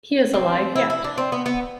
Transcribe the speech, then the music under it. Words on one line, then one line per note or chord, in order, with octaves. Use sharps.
He is alive yet.
C4
E4
E4
D4
C4
B3
B3